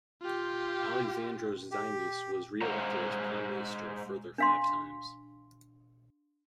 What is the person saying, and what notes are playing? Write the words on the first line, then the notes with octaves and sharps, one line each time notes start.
Alexandros Zaimis was re-elected as Prime Minister a further five times.
F4 G4
G4
G#3 C5 F5 F#5 A#5
D4 F5 C6